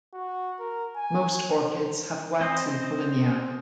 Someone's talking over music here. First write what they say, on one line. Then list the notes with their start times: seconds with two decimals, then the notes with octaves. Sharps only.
Most orchids have waxy pollinia.
0.13 F#4
0.59 A#4
0.96 G#5
1.60 C5
2.41 C4 C5 D#5